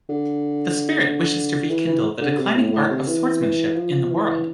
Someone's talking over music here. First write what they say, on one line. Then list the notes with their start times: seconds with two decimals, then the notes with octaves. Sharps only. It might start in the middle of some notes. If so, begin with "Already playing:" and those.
The spirit wishes to rekindle the declining art of swordsmanship in the world.
0.09 D3
1.69 E3
1.86 E3
2.21 D3
2.39 C3
2.56 A2
2.73 A2
2.91 C3
3.08 E3
3.42 E3
3.76 F3
4.11 E3